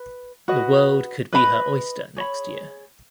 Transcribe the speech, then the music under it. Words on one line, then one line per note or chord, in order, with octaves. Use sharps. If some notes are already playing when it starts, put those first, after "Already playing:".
The world could be her oyster next year.
Already playing: B4
F#4 B4 D#5
B4 D#5 B5
G#4 C#5 B5